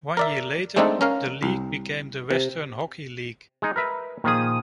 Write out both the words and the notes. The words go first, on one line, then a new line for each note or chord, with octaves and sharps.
One year later, the league became the Western Hockey League.
A#4 D5 E5
G#3 A3 C4 D4 D#4 A4
C#4 A#4 F5
C2
C3
G#3 D#4
A#4 B4 E5
A#2 D#3 F3 G#4 D#6